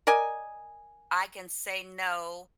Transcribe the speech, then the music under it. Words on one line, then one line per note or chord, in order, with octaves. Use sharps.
I can say, "No."
A#4 D5 D#5 G#5